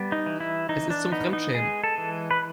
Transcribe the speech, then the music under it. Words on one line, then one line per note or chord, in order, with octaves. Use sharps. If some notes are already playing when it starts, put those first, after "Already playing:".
Es ist zum Fremdschämen.
Already playing: G3 B3
D#4
E3
E4
E3 D#4
D4
B3 D#4
D#4
G#3 G#4
A4
E3
B4